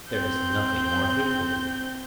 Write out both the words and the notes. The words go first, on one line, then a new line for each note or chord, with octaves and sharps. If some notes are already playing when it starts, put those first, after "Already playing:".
There is nothing more hateful to them.
C4 G6